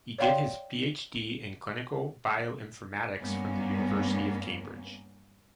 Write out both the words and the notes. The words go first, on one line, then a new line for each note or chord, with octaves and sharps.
He did his PhD in clinical bioinformatics from the University of Cambridge.
C#5 D5 F5 G5 C6
G2 A#3 B3 C#4